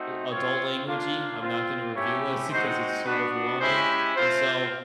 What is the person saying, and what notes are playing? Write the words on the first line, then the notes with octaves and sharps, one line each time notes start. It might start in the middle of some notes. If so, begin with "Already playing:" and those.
eh, adult language-y. I'm not going to reveal it 'cause it's too overwhelming. And so
Already playing: A3 C4 D#4 F#4
C4 F4 C#5
A#3 D4 F4
C4 F4
A3 C#4 E4 G4 C#5
G#3 C4 D#4 F#4 C5
B3 D4 F#4 B4
G#3 C#4 E4 G4 C5
A3 C4 F4 C5